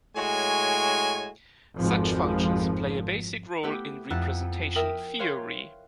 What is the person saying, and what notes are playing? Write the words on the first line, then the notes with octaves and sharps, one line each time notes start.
Such functions play a basic role in representation theory.
A2 G#3 F#4 C#5 G#5
G#1 F2 F3
A3 B3 E4 G4 B4
F2 E4 F#5 A#5 F#6 A6
A#4 E5 G5 D#6
B4 C#5 F5 C6